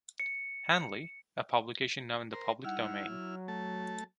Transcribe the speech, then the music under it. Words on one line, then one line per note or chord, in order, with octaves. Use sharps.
Handley, a publication now in the public domain.
C#7
A#4 C5
G3 D#4 E4 F#5 F6
F#3
A3 A5